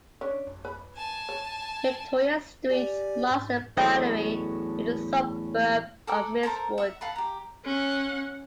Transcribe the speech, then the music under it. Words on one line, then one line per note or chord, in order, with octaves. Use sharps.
Victoria Street marks the boundary with the suburb of Millswood.
C#4 D4
B4 B5
G#5 A5
C#5
G4 D5 G#5
G#2
E2 A2 F#3 C#4 A4 D#5
A4 F#5 A#5 D6
A4 A#4 C5 A#5
E5 F#5
F5 F#5 A5 B5
G4 A#5
C#4 F#5